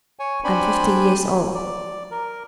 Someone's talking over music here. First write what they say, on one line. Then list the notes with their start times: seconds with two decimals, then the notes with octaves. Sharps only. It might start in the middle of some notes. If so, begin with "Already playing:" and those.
I'm fifty years old.
0.19 C#5 G#5
0.44 C4 D4 C5 D5 G#5 B5
1.55 D5
2.11 A#4